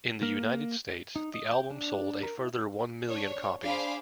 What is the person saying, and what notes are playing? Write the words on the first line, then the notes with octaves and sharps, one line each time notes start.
In the United States, the album sold a further one million copies.
A#3
D#4
D#5
G5
D4
A#4
E4
D4 C#5
D4 G#4 C5 F5 B5 D6